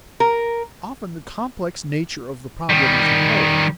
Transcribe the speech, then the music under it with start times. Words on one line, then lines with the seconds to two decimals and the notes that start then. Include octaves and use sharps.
Often the complex nature of the problem is ignored.
0.20 A#4
2.69 D#3 G3